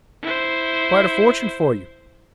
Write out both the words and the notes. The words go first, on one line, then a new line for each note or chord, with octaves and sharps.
Quite a fortune for you.
E4 C5